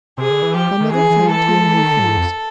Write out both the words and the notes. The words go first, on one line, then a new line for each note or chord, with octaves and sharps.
My mother thanked him and refused.
C3 G#4
D3
E3
F3 G4
D#3
E3 G#4
E3
F3
E3 A4
F3
E3
D#3
D3
A2
G#2
F2